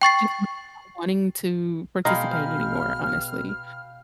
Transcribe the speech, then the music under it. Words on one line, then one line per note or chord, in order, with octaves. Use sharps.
just really not wanting to participate anymore, honestly.
G5 C#6 A6 C7
B2 G#3 F5 G5 A#5 B5 F6